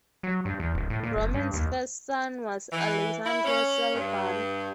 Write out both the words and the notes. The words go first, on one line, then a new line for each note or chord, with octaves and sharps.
Roman's first son was Alexandru cel Bun.
F#3
G2
E2
D1
A2
A#2
F#1
G2
D#2
E3
E4
C#4
G2